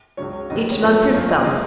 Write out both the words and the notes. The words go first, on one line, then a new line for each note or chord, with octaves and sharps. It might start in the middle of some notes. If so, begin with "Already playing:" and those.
Each man for himself.
C#2 C#3 F#3 C#5
D#2 C#3 F#3 B3 D#5
C#5
F#2 F3 G#3 B3 D#5
F#2 F3 A#3 C#5
D#5
C#3 G#3 D#5